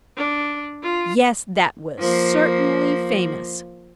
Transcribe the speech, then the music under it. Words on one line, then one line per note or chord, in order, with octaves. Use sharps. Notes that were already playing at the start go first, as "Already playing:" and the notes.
Yes, that was certainly famous.
D4
F4
F3 A#3